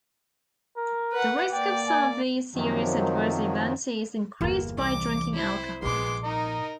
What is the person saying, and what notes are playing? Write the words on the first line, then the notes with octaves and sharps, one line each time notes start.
The risk of some of these serious adverse events is increased by drinking alcohol.
A#4
B4 F#5
A#3 D5 G5
G#5
F#2 C3 D#3 F3 F#3
G1 E2 E3 A#3 A#5
C2 D6
E4 C5
A#1 A#2 G#3 B3 C6 D6
D#4 A#4 D#5